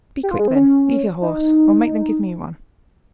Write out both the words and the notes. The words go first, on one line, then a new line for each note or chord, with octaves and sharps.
"Be quick, then; leave your horse, or make them give me one."
G4
F4
G#3
C4
C#4
D#4